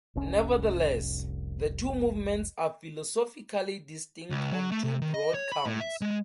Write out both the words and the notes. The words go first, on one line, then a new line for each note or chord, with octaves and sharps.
Nevertheless, the two movements are philosophically distinct on two broad counts.
F1 C2 C#4
C#2
F#3
A3
C3
D#3
D#5
C#5
B5
A2
E5
G#3